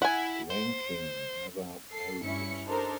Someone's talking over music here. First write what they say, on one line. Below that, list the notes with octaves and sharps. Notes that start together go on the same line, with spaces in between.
Rankin never married.
E4 F#5 G#5
C5
A4 C7
G2 C#4 E4 C#7
D4 D#4 G4 A4 A#4 C5